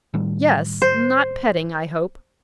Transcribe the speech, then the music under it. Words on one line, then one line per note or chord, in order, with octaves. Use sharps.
Yes; not petting, I hope.
A2 D#3 G3
C5